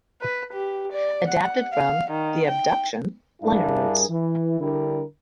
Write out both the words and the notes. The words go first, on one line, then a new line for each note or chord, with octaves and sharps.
Adapted from the "Abduction" liner notes.
B4
G4
D5
F#5
F5
D#3
G5
G2 D4 E4 G#4 A#4 F5
E3
D3 G3 D4 E4 A#4